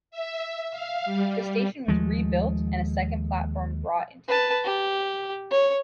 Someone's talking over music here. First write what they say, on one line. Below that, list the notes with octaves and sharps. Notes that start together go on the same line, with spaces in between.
The station was rebuilt and a second platform brought into use.
E5
F5
G3
D#2 F3 G#3 A3
B4 A5
G4
C#5